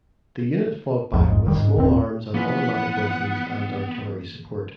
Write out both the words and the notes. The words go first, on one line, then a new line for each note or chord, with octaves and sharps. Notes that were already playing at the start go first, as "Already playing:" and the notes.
The unit fought back with small arms and automatic weapons and artillery support.
A1 E2 A2 F3
A#1 F2 G#2
F1 D#3 G3
G#2
D#1 A2 C4
E3 F3 A#3 B3 C#4 F#5 B6